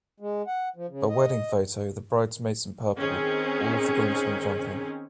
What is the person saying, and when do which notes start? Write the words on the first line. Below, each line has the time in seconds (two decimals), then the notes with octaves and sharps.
A wedding photo, the bridesmaids in purple, all of the groomsmen jumping.
0.20 G#3
0.47 F#5
0.76 F3
0.89 C#3
1.09 D#5
2.98 D#3 C4 C#4 G#4